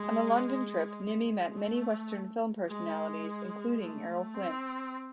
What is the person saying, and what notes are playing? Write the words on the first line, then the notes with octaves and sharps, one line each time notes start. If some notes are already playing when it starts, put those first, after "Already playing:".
On the London trip, Nimmi met many western film personalities including Errol Flynn.
Already playing: G#3
G#3
G#3
A3
G#3
A3
C4